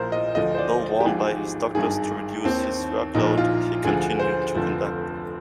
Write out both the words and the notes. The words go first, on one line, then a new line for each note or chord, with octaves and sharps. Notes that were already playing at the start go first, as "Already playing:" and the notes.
Though warned by his doctors to reduce his workload, he continued to conduct.
Already playing: A#1 A#2 F3 A#4 C5
D#5
D2 D3 F3 D#5
C5
D5
G4
G#1 G#2 F3 G#4
G#1 G2 D#3 G#4
D#2 D#3 C4
A#1 A#2 F3 D#4
F4
D2 D3 F3 G#4
C5
F1 F2 D3 F3